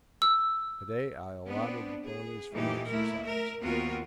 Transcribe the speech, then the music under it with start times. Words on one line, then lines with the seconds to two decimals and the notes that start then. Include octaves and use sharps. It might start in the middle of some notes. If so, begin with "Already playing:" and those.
To-day I allotted the ponies for exercise.
0.22 E6
1.47 B3 C4 D4
2.03 B3 G#4
2.52 A#2 E3 A3 D#4 G4
2.89 A3 A#3 E4 A#4
3.23 A#4 E5
3.61 D#2 B3 C4 F4 F#4 A#4